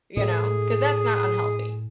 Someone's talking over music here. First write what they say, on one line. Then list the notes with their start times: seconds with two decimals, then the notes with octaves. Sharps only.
you know, cause that's not unhealthy.
0.17 A2 G#4